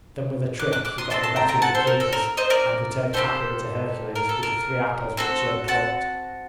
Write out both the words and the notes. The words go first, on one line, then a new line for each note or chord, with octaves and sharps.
Then with a trick he got the better of the keepers, and returned happily to Hercules with the three apples which he had plucked.
D6 F#6
D6 F#6
D6 F#6
C6 D#6
C4 F#4 A4 A5 C6
A5 C6
G5 A#5
G5 A#5
F#5 A5
A4 C5
A#4
A4
A#4
C5 D#5
A#4 D5
A#3 D#4 G4 A4 C5
A#4
A4
A#4
C4 F#4 A4
F#5 A5